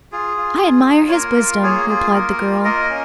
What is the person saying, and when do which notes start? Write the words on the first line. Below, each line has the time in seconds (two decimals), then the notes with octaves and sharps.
"I admire his wisdom," replied the girl.
0.12 F4 G#4
0.37 F4
0.63 F4
0.88 F4
1.08 C#5
1.13 A#3 A#4
1.38 F4
1.63 A#3 G#4 C#5
1.89 F4 G#4
2.14 A#3 A#4
2.39 F4
2.65 A#3 A#4 D#5
2.90 C#4